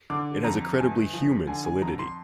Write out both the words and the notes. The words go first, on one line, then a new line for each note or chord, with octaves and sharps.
It has a credibly human solidity.
D3 D6
F2 A#5
G1 G#5
F3
D3 G#5
G#5
F2 A#5
C6